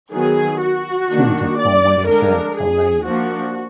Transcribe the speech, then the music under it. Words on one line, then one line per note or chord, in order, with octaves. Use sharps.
Two to four whitish eggs are laid.
D#3 F#3 B3 G#4
F#4
D#3 A#3 D4
D5
D3 G#3 D4 A#4
G#4
F3 A#3 D4 F#4